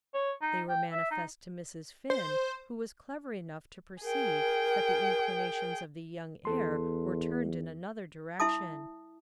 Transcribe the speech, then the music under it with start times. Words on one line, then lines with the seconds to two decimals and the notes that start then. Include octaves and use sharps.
They were manifest to Mrs. Finn, who was clever enough to perceive that the inclinations of the young heir were turned in another direction.
0.14 C#5
0.42 D#4
0.69 G5
0.92 E5
1.11 D#4
2.10 C5
4.03 G#4 A#4 G5
6.45 E2 A4 C6
8.40 E4 E5 A5 D#6